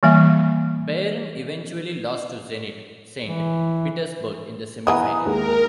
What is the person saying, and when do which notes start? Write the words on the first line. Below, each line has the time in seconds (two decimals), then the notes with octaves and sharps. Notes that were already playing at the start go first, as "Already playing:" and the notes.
Bayern eventually lost to Zenit Saint Petersburg in the semi-final.
0.03 E3 G3 A#3 E5
3.27 E3
4.87 D#3 E3 B3 B4 G#5 A#5 D#6
5.25 D#2 G#3 A#4